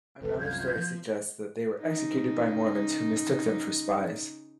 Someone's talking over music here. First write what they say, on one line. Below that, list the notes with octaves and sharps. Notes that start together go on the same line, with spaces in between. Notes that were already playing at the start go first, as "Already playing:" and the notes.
Another story suggests that they were executed by Mormons who mistook them for spies.
F1 C#2 A4 B4
C2 F#2 F4 G6 G#6
F3
C#3 D#4